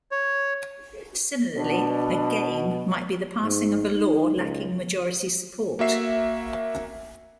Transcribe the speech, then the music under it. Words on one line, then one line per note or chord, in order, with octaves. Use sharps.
Similarly, a "game" might be the passing of a law lacking majority support.
C#5
B2 D4
G#2
D#4
C#2
A#3 F#4 E5 C7